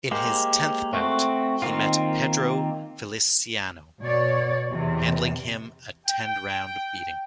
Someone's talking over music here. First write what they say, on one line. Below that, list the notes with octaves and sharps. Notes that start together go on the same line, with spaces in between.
In his tenth bout, he met Pedro Feliciano, handling him a ten-round beating.
G#3 A#3 G4 C5
A3 C4 F#4
D#3 A#3 C4 F4
B2 C#5 D5
E2 C3 E3
G5